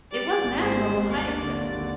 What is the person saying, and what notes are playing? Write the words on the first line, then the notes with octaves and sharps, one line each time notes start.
It was an admirable hiding-place.
G3 D5
G3
G#1
G#2 C5
G3
G#1
D#2 D5
D4
D3
D#2 D5
D3